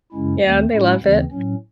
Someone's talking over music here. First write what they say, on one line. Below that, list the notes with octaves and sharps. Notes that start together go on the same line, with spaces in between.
Yeah, they love it.
F#2 C#3 G#3 C#4 E4
D#2 D#3 A3 C4
A2 G#3 C#4 E4
D#2 C#3 E3 C4
A2 F#3 C#4